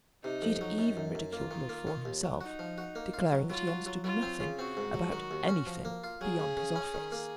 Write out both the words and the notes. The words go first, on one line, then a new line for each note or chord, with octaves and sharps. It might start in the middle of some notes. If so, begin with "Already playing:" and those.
She had even ridiculed Lord Fawn himself, declaring that he understood nothing about anything beyond his office.
C3 D#4
F2
F#3
F#2
F#2
F#2
A#3 F4
D#3
A#3
D#3
D#2
F#3
D#4 F#4
F3
F#4
A#3
F4
F#3
F#3 F4
F#3
F#3
F#3 F4
C4
C#3
C4 F#4
G#2
F#3
D#3
D#2
C#4
F3
A#3
F4
F#3 G#4
C#3
C#3
C#4
D#3
A#3